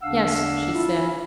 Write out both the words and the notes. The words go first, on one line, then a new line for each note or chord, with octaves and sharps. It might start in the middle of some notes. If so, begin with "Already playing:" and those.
"Yes," she said.
E2 D3 D4 F5 F#5 E6
E4 F4